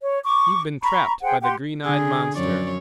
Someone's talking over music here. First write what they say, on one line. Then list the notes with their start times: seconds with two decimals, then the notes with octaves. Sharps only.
You've been trapped by the green-eyed monster.
0.02 C#5
0.24 C#6 D6
0.82 A#5 B5 C#6
1.23 G#4 C5 F#5 G5
1.42 G4 F#5 G5 C6
1.85 D3 G#4
2.35 F#2 F3 C#5 D5